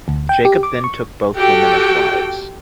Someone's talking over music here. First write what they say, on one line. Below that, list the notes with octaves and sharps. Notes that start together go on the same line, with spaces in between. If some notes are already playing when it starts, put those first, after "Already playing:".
Jacob then took both women as wives.
D2
G5
G4
D6
C#6
F#4 G4 A4 G5